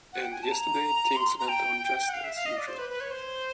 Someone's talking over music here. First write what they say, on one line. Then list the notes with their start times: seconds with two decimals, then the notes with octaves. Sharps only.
And yesterday things went on just as usual.
0.13 F#5
0.22 G5
0.33 G#5
0.43 A5
0.52 A#5
1.16 C6
1.39 A#5
1.48 G5
2.08 F#5
2.14 F5
2.24 E5
2.35 F5
2.46 D#5
2.57 D5
2.68 C5
2.78 B4
2.89 B4
3.00 C#5
3.11 C5